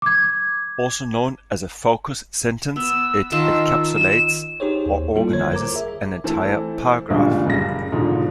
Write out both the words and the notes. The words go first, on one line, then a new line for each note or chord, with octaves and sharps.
Also known as a focus sentence, it encapsulates or organizes an entire paragraph.
D6 G#6
B3 E6
D#3 F4 A5 E6
E7
D#4 G4 G#4 C5 C#5
D#2
G3 A#3 E4 F4 A4
D3 C5 C#5 G#6
A#4 A#5 D6
G#4 E5
E3 A3 C4 E4 A4
A1 D2 G2 A#2 G3 G#3
F#1 C#2 G3 A#6
E2 G#2 B2 D3 F3